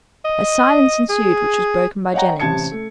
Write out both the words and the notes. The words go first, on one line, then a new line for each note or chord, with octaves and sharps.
A silence ensued which was broken by Jennings.
D#5
G#4
C#5 D#5 F#5 G5 A#5
A1 C3 A5 G#6 C#7
A3